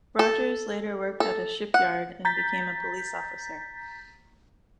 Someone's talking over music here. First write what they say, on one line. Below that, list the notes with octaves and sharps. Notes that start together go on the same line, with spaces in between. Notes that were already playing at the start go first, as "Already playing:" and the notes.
Rogers later worked at a shipyard, and became a police officer.
A4
A4
F#5
A#5 G6 A6 B6